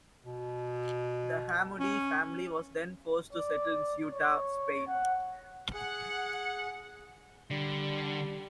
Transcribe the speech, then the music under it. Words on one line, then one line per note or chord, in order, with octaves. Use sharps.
The Hammudi family was then forced to settle in Ceuta, Spain.
B2
C#4
D5
C#5
F#5
G#4 F#5
D3 G3